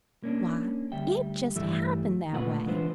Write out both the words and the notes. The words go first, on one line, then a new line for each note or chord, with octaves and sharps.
Why, it just happened that way.
A#3 C#4 D4
D2 G3 E5 G5
G2 E3 G3 A3 E5
A#2 C#3 A3 F4 B4 F#5
E3 G#3 D4 F4 B4 C5